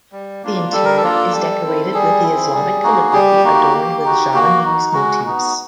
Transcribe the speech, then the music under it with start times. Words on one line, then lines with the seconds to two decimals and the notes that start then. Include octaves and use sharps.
The interior is decorated with the Islamic calligraphy adorned with Javanese motifs.
0.12 G3
0.43 A#3 D4 F4
0.73 G3 A4
0.85 A#4
0.97 A4
1.03 A#3 D4 F4
1.33 G3
1.63 C4 E4
1.94 G3 G#4
2.23 C4 E4
2.54 G3
2.83 A#3 D#4 F#4
3.13 G3 G4
3.43 A#3 D#4 F#4
3.74 A#3
4.04 D#4 F#4
4.34 A#3 F#4
4.64 D#4 F#4
4.93 G#3 F#4
5.24 B3 D#4 F#4